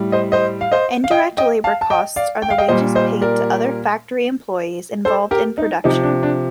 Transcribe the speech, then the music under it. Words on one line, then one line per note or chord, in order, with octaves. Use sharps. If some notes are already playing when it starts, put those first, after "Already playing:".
Indirect labor costs are the wages paid to other factory employees involved in production.
Already playing: A2 G3
C5 D#5
C5 D#5
F5
C5 D#5
F5
D#5 G5
D#5 G5
F5 A5
A5
D#5 G5
D5 F5
G5
F5
D#5 G5
A#2 G3 C5 D#5
C5 D#5
A#4 D5
A4 C5
G4 A#4
D#4
C3 F3 D#4
D4
D4